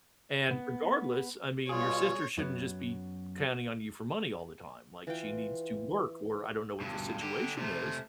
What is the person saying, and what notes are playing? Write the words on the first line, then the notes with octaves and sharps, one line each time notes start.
And regardless, I mean, your sister shouldn't just be counting on you for money all the time, like, she needs to work, or I don't know what the situation is,
B3
B2 G3 F4 G#4 C#5
F#2 F#3 B3
E3 F4 G5
G2 B2
D3 G4
C3 A3